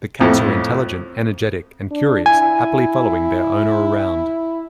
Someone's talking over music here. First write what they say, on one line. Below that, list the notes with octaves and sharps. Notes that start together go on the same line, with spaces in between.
The cats are intelligent, energetic, and curious, happily following their owner around.
F2 A2
D4
E4 G#5